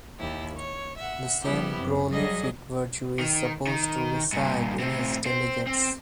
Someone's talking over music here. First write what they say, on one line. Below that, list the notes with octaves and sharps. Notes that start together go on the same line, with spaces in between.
The same prolific virtue is supposed to reside in his delegates.
D#2 E4 G4
C#5
E5 F#5
F3 G3 B3 E4 G4
F#2 C3
F#3 G3 G#4 D#5 A#6
D#3
D#3
G2 A#2
A2 C4
C4 C5
C4